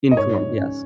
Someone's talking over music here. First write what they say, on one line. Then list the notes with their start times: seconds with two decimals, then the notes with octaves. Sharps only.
Informed, yes.
0.11 D#5
0.16 G#2 C#5
0.37 G#2
0.58 C#4